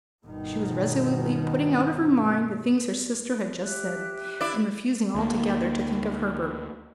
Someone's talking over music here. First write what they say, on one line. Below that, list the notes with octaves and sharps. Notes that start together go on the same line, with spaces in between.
She was resolutely putting out of her mind the things her sister had just said, and refusing altogether to think of Herbert.
G1 B2 D#3
G4 E5 F#6
E4 D5
D2 A#3